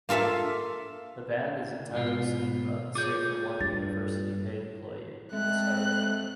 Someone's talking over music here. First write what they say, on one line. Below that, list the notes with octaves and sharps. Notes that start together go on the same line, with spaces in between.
The Band is entirely student-run, save for one University-paid employee, its Director.
A#3 F4 A4 E5 F5
G#2 B2 F4
F4 G#4 C#5 D6 G6
G2 A6
G#3 A3 C4 F#6